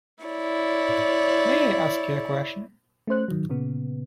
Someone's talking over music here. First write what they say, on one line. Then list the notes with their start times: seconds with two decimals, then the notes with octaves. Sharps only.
May I ask you a question?
0.24 E4 C#5 D5
3.07 A3 C#4 C5 F#6
3.28 D#3 F#3
3.50 A#2 C#3 B3